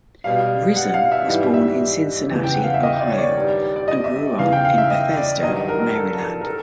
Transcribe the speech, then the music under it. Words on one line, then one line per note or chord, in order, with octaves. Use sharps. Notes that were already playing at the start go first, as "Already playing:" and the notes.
Risen was born in Cincinnati, Ohio, and grew up in Bethesda, Maryland.
B2 G3 F5
F#5
F5
E5
G#2 E3 G3
E5
E2 C#3 E3
G5
F#5
F5
E5
D#5
D5
C#5
D5
G2 D#3 G3
D5
D#5
E5
E2 C#3 E3 F5
G5
F5
E5
D#5
D5
G2 D#3 F#3 D#5
A#4
A4
A4
A#4
A4